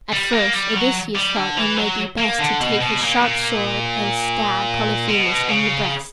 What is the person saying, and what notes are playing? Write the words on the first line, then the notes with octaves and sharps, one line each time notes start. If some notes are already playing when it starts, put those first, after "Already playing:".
At first Odysseus thought it might be best to take his sharp sword and stab Polyphemus in the breast.
G3
A#3
G3
F#3
G3
D3
E3
F#3
A#3
D3
B2
B2
A#2
A#2
B2
C#3